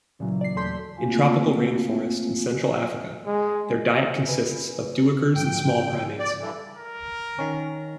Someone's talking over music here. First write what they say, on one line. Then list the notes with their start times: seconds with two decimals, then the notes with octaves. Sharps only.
In tropical rainforest in Central Africa, their diet consists of duikers and small primates.
0.19 A1 A#2 C#3 E3 F#3
0.41 D5 C7
0.56 D#2 A2 A4 C6 G6 B6
0.97 A3 A#3 C4 F4 F5 G#5
3.26 G#3
4.27 B4 G#5
5.35 G#2 C#3 F3 G5
6.19 D5
6.40 G2 D3 E3
6.77 A#4
7.39 D#3 C#4